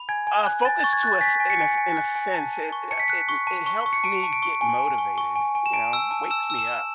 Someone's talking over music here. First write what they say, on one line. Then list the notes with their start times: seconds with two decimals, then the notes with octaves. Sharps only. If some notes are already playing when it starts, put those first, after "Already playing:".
Uh, focus to a s in a in a sense, it, uh, it m it helps me get motivated, you know, wakes me up.
Already playing: B5
0.09 G#5 G#6
0.27 G#5
0.46 F#6
0.65 G#5 A6
0.79 C#6 A6
0.93 G#6
1.03 F#6 A6
1.21 G#5 B6
1.40 G#5
1.50 C#7
1.59 G#5
1.78 G#5
1.97 F#6
2.15 G#5
2.34 A5
2.53 A5
2.72 C#6
2.91 A5 C#7
3.00 B6
3.08 F#6 C#7
3.29 C#6
3.47 A5
3.66 C#6
3.86 C#6
3.93 C#7
4.04 A5 D7
4.23 A5
4.33 D7
4.43 C#6
4.61 G#5
4.79 G#5
4.98 C#6
5.18 C#6
5.36 G#5
5.55 G#5
5.66 E7
5.73 A5 D7
5.93 E6
6.11 A5
6.31 E6 E7
6.50 E6
6.59 E7
6.68 E6